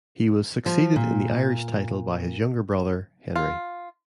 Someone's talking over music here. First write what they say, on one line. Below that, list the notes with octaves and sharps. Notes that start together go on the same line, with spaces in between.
He was succeeded in the Irish title by his younger brother, Henry.
F3
A#2
F4